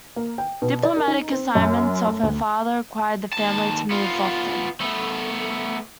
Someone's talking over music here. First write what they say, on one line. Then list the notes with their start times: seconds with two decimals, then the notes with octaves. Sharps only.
Diplomatic assignments of her father required the family to move often.
0.16 A#3
0.38 G5
0.62 B2
0.83 D5
0.96 A#4
1.08 D#4
1.32 C4
1.55 F#2
2.06 A3
2.23 D2
3.33 D#2 A5
3.91 B3 F4
4.81 A3 B3